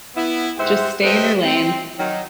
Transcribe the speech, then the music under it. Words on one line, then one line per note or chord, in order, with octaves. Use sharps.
just stay in your lane
B3 E4
G#2 G4 C5 E5 F#5 C6
G4 A4 B4 C5 D#5 E5
C4
D#3 F#3 D#4